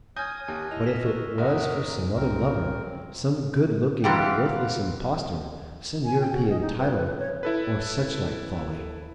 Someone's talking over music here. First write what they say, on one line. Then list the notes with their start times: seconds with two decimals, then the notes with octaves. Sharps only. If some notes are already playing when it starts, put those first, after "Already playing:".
But if it was for some other lover, some good-looking, worthless impostor, some European title or suchlike folly--!
0.16 C#5 G#5 D#6 F6 G6 G#6 A#6
0.48 D#2 G4 G#5
0.71 E4 D#5 F7
0.86 A#6 B6 E7
1.02 A#4 C#6 E6
1.38 F#1 A#4 E5 F#5 D#6
2.16 C2 C4 A#4
4.04 G#2 E3 G4 F5 F#5
6.05 G#5
6.20 G5
6.32 F#4
6.49 D#5
6.61 D#4
6.78 B4
6.94 B4
7.06 B4
7.18 C#5
7.43 E4 A4 B4